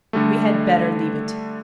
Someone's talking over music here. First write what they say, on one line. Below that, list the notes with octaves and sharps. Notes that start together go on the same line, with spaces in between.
We had better leave it.
D3 G3 A3